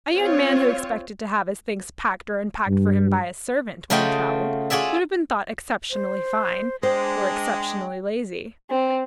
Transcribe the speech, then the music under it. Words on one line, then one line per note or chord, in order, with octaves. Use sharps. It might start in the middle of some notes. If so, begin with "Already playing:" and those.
A young man who expected to have his things packed or unpacked for him by a servant, when he travelled, would have been thought exceptionally fine, or exceptionally lazy.
C4 F4 C#5
G2
C#3 A3 F4 F#4 D#5 G5
F4 F#4 G#4 D5 E5
C5
G#3 D4 C5 G5
C4